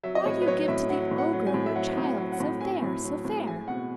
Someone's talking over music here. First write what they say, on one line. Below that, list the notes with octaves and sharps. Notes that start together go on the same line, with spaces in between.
Why do you give to the ogre Your child, so fair, so fair?
F#3 E5
D#5
A2 C#5
B4
F#3 C#5
A2 E5
F#3 F#5
A2
F#5
F#3
G#5
A2
E5
F#3 F#5
A2
F#5
F#3
F#5
A2
F#3 G#5
A2
F#3
A2
G#3 G#5
B2 F#5